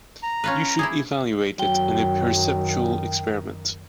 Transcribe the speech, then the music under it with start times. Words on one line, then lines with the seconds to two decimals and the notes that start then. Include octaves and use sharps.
You should evaluate it in a perceptual experiment.
0.23 A#5
0.44 C#4 F4 B4
0.79 E4 G4 G#4
1.59 F#2 D#3 F#3 G5